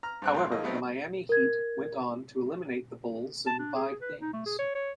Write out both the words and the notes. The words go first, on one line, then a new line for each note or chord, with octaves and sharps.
However, the Miami Heat went on to eliminate the Bulls in five games.
A#5 F6
G2 C4 F#6
G#1 C6 F#6
F3 A#3 D#5
F#3 A3 B3 C4 D#4
A#4 G#6
A5
D4
G#4
B4
D#4
A3
G#4
C#5
C#5